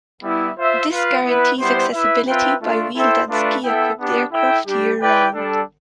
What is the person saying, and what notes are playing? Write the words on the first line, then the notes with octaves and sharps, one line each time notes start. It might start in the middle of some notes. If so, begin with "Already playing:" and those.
This guarantees accessibility by wheeled and ski equipped aircraft year round.
G3 B3 E4
F4 C5 E5
F4 B4 F5
B3 E4 B4
G3 B3 E4 G4 C5
E4 B4 E5
C4 F4 B4 E5 G5
A3 D4 F4
E4 A4 C5 E5 G5
A3 D4 F4 B4 D5
B3 E4 A4 E5 G5
B3 D4 G4
E4 A4 E5 G5
G3 D4 G4
E4 B4 D5 G5
G3 D4 A4